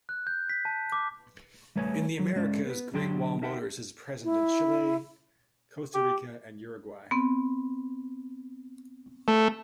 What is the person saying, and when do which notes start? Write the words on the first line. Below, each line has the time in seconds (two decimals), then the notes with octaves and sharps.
In the Americas, Great Wall Motors is present in Chile, Costa Rica and Uruguay.
0.09 F#6
0.27 G6
0.49 B6
0.65 A5
0.92 D6
1.76 G3 A3 B4 C#5 D#5 G#5
2.19 F#3
2.36 G#3 C#4 D5
2.66 B3 B4
2.93 D3 F#3 D4 G4 G5 C6
3.41 D#4 A#4 E5 F#5 G5
4.24 E4
5.94 G4
7.11 B3 C4
9.28 A3